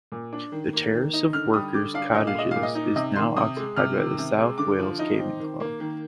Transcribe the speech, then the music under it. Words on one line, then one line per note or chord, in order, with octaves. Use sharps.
The terrace of workers cottages is now occupied by the South Wales Caving Club.
A#2
D4
D#3
A#3
D#3
D#4
D3 F6
G3 D#6
D3 D6
D4 F5
A#2 D#5
F5
G#3 D#5
A#2 F5
D#5
D#4
C3 D#5
D#3 C6
C3 D#6
G#3
C3 F6
D#3
C3
G#3
D3 D6
F3
D#4
C4
D#3
A#3
D#3